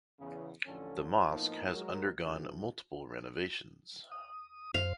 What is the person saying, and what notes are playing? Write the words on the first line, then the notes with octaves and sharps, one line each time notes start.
The mosque has undergone multiple renovations.
E2 C#3
A1 F2 D3 F3 C#4 A4
A2 F3 A#3 B3 D#4
F#3 G#3 A#4
D2
D#6
F#2 C5 F5